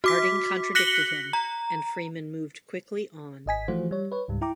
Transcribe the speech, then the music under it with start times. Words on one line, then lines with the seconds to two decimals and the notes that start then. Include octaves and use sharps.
Harding contradicted him and Freeman moved quickly on.
0.04 F#4 D6 B6
0.75 F#6 A#6 B6 C#7 F#7 G7
1.33 A#5
3.46 G#1 D#5 G#5 B6
3.68 E3 F3 A3 F4 F#4 C5
3.91 G3 C#5
4.12 B4 C#5
4.28 C#2 G#2 G3
4.41 E4 G5 A#5 D6